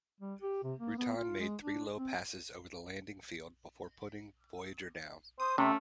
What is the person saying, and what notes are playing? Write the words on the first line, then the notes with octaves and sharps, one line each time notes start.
Rutan made three low passes over the landing field before putting Voyager down.
G3
G4
C3
A#3
B3
F4
G#3
D4
C4
C5 D#6
C3 A3 C#4